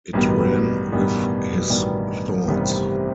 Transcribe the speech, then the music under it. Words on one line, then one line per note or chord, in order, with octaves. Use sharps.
It ran with his thoughts.
A1 G2 B2 D#3 G3 B3
A1 G2 B2 D#3 G3 B3
A1 G2 D#3 G3 B3
A1 G2 C3 D#3 G3 B3